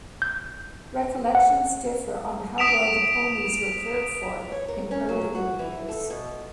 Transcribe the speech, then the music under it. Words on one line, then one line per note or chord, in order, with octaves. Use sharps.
Recollections differ on how well the ponies were cared for in earlier years.
G6
F#5
D#6 B6 D7 E7 F7
C#5
A#4
C#4
F#3
F#4
E3
A4
B2